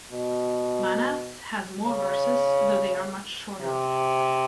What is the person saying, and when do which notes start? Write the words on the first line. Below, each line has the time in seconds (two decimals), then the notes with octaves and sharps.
Manas has more verses, though they are much shorter.
0.11 B2
1.86 C#3
3.61 C3